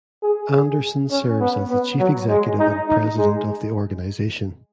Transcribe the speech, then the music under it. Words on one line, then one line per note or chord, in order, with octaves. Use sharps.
Anderson serves as the Chief Executive and President of the organization.
G#4
G#4
C#4
B3
B3
F#3
G#3
D#4
D#4
G#3